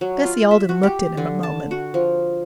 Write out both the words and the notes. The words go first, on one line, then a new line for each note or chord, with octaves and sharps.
Bessie Alden looked at him a moment.
F#3
F4
E5
F#4
G4
D3
A5
F#4
F3